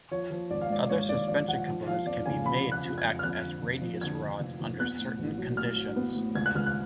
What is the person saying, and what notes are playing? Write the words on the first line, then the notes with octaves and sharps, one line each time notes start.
Other suspension components can be made to act as radius rods under certain conditions.
F3 C#5
F3
G#1 D5
F5
G#2 D5
G#2 C#5
G#1 D5
F3 D5
F3 F#5
F3
F3 F5
F2 D5
C#3 G#5
F2 B5
F3
F#6
F2
G#6
F2
F6
F2 F#6
D3
F1
F2
D3 G#6
D3
F1
F1
B3 F#6
A2
A1
F#3
A2 F6
F#3
B3
A2
C#2 G#6
F#6
C#2 F6
F#6